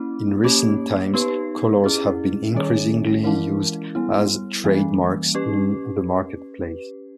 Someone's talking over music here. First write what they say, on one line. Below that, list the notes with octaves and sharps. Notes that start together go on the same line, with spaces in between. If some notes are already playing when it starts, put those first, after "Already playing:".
In recent times colours have been increasingly used as trade marks in the marketplace.
Already playing: A#3 C#4 E4
A#3 C#4 G4 C#5
B3 D#4 G4 B4
C#4 E4 G#4
D#3 G3 C#4 G#4 C#5
E3 G#3 C#4 E4 A#4
G3 B3 E4
E3 G3 A#3 C#4
C#4 G4 B4